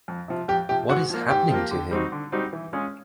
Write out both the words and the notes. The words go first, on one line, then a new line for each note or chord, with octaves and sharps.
What is happening to him?
F2
C3 F3
F2 G4
C3 F3 G4
G#2 F#4
F3 A#3
G#2 G4
F3 A#3
D3
G3 C4 D#4 F#4
D3
G3 C4 D#4 F#4
E3
G#3 C#4 F4 G#4